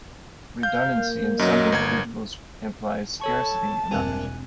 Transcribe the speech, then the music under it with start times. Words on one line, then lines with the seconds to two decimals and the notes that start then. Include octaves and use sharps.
Redundancy in some individuals implies scarcity in others.
0.63 F5 G6
0.97 A#3
1.39 F#2 F#3 D#5
1.72 G1 A#4 G#6
3.21 A4 C#5 A5 C#6
3.91 E1 G2 C3 A#3 C4 G#5 F#6